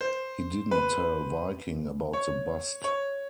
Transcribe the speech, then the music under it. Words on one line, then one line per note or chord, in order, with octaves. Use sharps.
He didn't tell Viking about the bust.
C5
B4
C#5
C#5